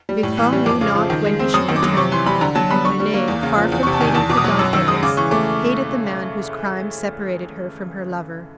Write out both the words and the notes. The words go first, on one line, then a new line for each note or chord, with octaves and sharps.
Villefort knew not when he should return, and Renee, far from pleading for Dantes, hated the man whose crime separated her from her lover.
G3
A2
E3
G3
F2 D6
C#3
F3
D#3
G#3
C4
F#2 D#6
D#3
D6
F#3
C3 C#6
E3 C6
G3 B5
D3 A#5
F#3 A5
B3 B5
D3 C#6
G3
A#3
E2
C#3
F3
E2
C#6
C3
A5
D#3 G#5
E2 A5
B2 D6
D#6
F#3
F#2 E6
D#3 E6
G#3 D#6
C#3 D6
E3 C#6
A3 D6